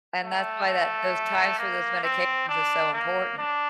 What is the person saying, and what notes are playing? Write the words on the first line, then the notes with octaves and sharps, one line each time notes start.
And that's why that those times for those medications is so important.
A3
A#3
C4
D4
A#3
D4